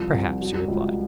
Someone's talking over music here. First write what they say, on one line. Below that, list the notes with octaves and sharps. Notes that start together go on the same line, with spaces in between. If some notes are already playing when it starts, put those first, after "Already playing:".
Perhaps, he replied.
Already playing: C2 F3
C2
F#3
C#2